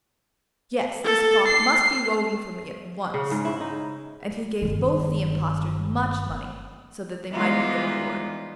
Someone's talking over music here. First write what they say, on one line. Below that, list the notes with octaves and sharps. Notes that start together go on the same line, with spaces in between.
Yes, this cloth must be woven for me at once.' And he gave both the impostors much money, so that they might begin their work.
A4
C7
C#3
G#2
E4
D#4
G1 D#3
E3 G3 G#3 B3 D#4 F4